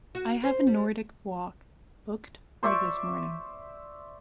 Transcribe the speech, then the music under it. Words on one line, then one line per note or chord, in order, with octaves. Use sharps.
I have a Nordic walk booked for this morning.
F#4
C5
G3
C5 D5 E5 C#6